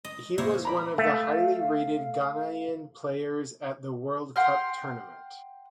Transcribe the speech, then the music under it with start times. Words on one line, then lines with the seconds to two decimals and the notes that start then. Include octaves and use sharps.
He was one of the highly rated Ghanaian players at the World Cup tournament.
0.05 D#5
0.38 A#2 E4 C5 C#5
0.65 A#5 B5 D6
0.98 A3 F5
4.36 F#5 G5 C6 F6